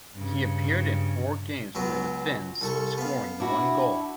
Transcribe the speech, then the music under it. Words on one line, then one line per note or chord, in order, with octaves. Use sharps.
He appeared in four games for the Finns, scoring one goal.
G2 C#3
C#2 F#3 B3
C2 A4 C#6
B3 F5
D4 E4 F#4